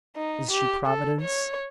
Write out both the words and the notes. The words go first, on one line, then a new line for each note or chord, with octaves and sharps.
Is she Providence?
D#4
G4
A4
C#5